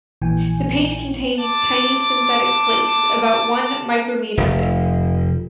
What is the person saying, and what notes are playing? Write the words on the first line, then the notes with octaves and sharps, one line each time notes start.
The paint contains tiny synthetic flakes about one micrometre thick.
A#1 A#2 E3 G5 G#5
A5 D6
F1